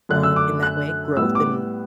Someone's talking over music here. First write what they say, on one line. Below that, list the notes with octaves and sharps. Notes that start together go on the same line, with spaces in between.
um, in that way, growth and
F#2 D3 A3 D4 F#6
E6
D6
F#6
A2 G3 B3 E6
D6